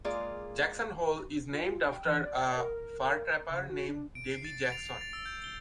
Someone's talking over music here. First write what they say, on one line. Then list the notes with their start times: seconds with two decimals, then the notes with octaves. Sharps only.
Jackson Hole is named after a fur trapper named Davey Jackson.
0.04 G#3 A#3 F4 G#4 D5
1.53 F4
1.85 G5
2.06 E3
2.25 D5
2.57 A#4
3.03 A#4
3.50 C#3
3.70 F#4
3.89 D4
4.15 D7
4.30 C7
4.45 A6
4.60 D7
4.72 F7
4.86 F7
5.01 A6
5.13 E6
5.26 G6
5.44 G7